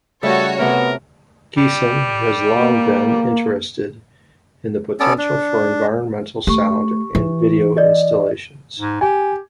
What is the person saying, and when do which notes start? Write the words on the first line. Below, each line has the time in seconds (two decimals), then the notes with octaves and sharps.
Geesin has long been interested in the potential for environmental sound and video installations.
0.23 C#3 G3 A3 F#4 A4 C#5
0.59 C3 A3 B3 A#4
1.57 G3
2.51 A#3
5.00 B3 C#4 A4 D5
5.18 D4
6.47 A3 G4 C#6
7.15 E3
7.77 D5 D#5
8.80 G#2
9.01 G4 G#5